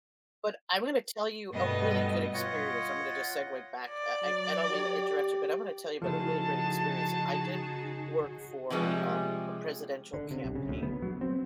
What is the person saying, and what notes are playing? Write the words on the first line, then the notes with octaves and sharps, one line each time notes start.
But I'm gonna tell you a really good experience. I'm gonna just segue back. I don't mean to interrupt you, but I'm gonna tell you about a really great experience. I did work for, um, a presidential campaign
G2 B2 G3 A3 B3 D#5
F4 C#5 D#5 F#5
D5
F#3
G4
C#3 F3 A3 D#4 E4 F#4 G#4 A5
C3 F3 G3 G#3
D3
C3
B1
C#3
D2
B3
F#3
C4